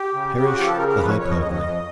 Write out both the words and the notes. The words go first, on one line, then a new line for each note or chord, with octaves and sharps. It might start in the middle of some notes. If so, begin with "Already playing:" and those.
Perish the hyperbole!
Already playing: G4
C#3
C#3 G4
F#4
F3 G4
A4
C#3 A#4
A#4
F2 B4
C#5
F2 C#5
D#5
F2 D#5
D#5
F2